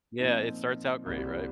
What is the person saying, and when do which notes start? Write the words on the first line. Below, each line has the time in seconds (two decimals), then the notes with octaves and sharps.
Yeah, it starts out great, right?
0.19 A#2 F3 C4 D#4
1.06 C2 A#2 G3 C4 G4